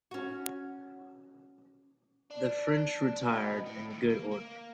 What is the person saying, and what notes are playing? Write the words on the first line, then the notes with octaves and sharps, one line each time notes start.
The French retired in good order.
C#4 F#4
D4
F#4 D#5
A2
C2 D#3
A#3
A#3